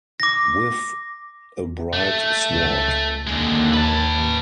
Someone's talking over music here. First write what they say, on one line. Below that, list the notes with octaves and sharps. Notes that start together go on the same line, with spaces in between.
With a bright sword.
D6 A#6
A3
C#2
D#2 D3 G#3
B4 A5